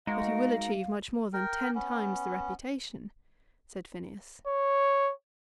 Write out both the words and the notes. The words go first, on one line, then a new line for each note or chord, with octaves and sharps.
"But he will achieve much more than ten times the reputation," said Phineas.
G#3 D#4 F#4 A#4 F5
A#4 G5
B3 C#4
C#5